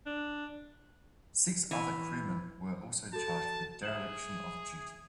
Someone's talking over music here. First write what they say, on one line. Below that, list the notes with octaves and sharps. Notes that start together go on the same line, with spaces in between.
Six other crewmen were also charged with dereliction of duty.
D4
E3
F#4 A4 A5
G#4 E5 E7 F#7